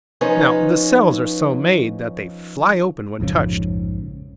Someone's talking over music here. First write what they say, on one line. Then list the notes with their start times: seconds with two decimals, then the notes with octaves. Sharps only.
Now the cells are so made that they fly open when touched.
0.21 F3 C#4 D#4 B4 C#5
3.20 A#1 F2 G#2 C#3